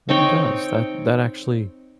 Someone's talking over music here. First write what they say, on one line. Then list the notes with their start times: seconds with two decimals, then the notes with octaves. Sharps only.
But it does, that that actually
0.09 C4 D#4 C#5 G5